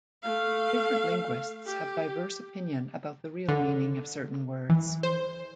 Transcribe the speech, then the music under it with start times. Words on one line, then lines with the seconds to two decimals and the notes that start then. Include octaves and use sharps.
Different linguists have diverse opinion about the real meaning of certain words.
0.23 A3 F5
1.66 G4
3.48 D3
4.69 E3
5.03 C5